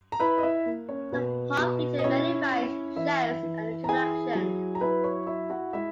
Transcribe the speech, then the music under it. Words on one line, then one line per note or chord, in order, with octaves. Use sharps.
The park featured many rides, shows, and attractions.
A#5
E4 B4 B5
D#5
E4 E5
A#3
C#4 C#5
B2 B4
B2
D#5
C#4 E4 C#5
E4
E3 E4 E5
E3
A#5
E4 G#4 G#5
F#3
A#5
E4 B4 B5
C#5 C#6
E4 E5
F#4 F#5
G#3 E4 E5